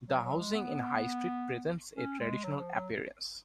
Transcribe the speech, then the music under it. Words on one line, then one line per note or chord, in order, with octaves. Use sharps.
The housing in High Street presents a traditional appearance.
F#3
F#3
G#3
B3
C#4
G#3
F#3
F3
F#3